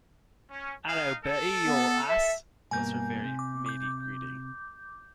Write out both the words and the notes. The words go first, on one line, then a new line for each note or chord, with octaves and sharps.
"Hallo, Bertie, you old ass," was her very matey greeting.
C#4
D#4 G#4 F5
A4
B3
E5
G2 B2 A#3 G#5 G6
C3
D6
D6 G6